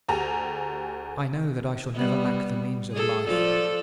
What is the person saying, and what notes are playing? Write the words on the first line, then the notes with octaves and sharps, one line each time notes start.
"I know that I shall never lack the means of life!"
D2 G4 G#4 A#5
G3 B3
G#4 A4
F3 A4 D5